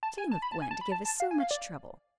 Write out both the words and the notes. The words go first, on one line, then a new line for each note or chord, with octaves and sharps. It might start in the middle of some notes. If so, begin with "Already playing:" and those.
Shame of Gwen to give us so much trouble!
A5
G#5
A5
B5
A5
G#5
A5
B5
A5
A5
F5
G#5
F5
D5